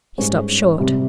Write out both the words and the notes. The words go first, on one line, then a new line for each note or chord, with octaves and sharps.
He stopped short.
G#2 G3 C#4 G#4 C#5
C3 G3 C4